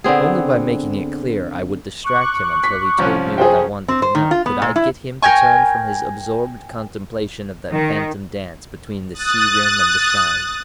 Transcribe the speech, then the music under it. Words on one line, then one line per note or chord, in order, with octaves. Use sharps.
Only by making it clear I would distract him until he told me what I wanted to know could I get him to turn from his absorbed contemplation of that phantom dance between the sea rim and the shine.
D3 B3 C4 G#4
C#6 D6 F#6
B6
C2 F3 C#4
G#4 C5 G5
C4
C5
D#3
F4
B3
A#2
E4
A#4 G5 G#5 C#6
D#3
D#6 F#6 A6